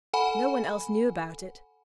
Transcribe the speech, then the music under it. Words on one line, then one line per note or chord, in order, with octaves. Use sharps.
No one else knew about it.
A4 F#5 G#5 B5